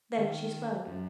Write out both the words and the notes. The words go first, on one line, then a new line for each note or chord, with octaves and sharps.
Then she spoke.
D#3
F#2